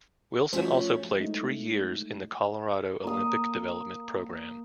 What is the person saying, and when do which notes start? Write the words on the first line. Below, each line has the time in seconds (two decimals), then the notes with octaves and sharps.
Wilson also played three years in the Colorado Olympic Development Program.
0.53 F3 A3 C#4 F#4 C5
1.18 G#3 A3 D#4 E4
3.04 A#3 D#6